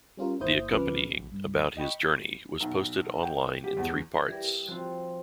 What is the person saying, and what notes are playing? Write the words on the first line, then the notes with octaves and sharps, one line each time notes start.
The accompanying about his journey was posted online in three parts.
G3 C#4 F4 A#4
G1 A#3 E4 C5 D#6 G6
D2 F3 C#4 B4 D6 F6
A#1
G2
D#5 G5 B5 C#6
B1
G5
G4
E2
E3 G3 G4 A#4 G#6
F3 C4 F4 F#4